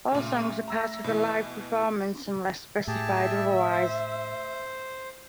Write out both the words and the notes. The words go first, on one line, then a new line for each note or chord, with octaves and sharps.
All songs are part of the live performance unless specified otherwise.
A#2 C#3 A3
A#5 E6 A#6
B2 E3
A2 G4 G#4 E5 A5
C5